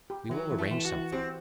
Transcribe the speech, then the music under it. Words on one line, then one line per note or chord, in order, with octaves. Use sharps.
We will arrange something.
G4
E3 F#3
E3
A3
E3
F#4
E3
C4 G4